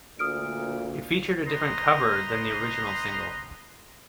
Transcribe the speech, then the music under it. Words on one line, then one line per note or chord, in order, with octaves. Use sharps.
It featured a different cover, than the original single.
D2 A#2 D#6 F6 D7
B4 C5 D#5 A#5 C6